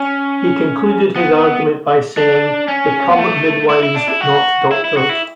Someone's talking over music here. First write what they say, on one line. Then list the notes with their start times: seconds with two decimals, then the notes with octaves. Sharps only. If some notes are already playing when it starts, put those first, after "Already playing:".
He concluded his argument by saying Become Midwives, not doctors!
Already playing: C#4
1.16 B3
2.17 D4
2.68 C#4
3.09 B3
3.19 A3
3.70 E4
3.83 E4
3.95 D4
4.08 E4
4.21 F#4
4.71 E4
4.85 E4
4.97 F#4
5.09 E4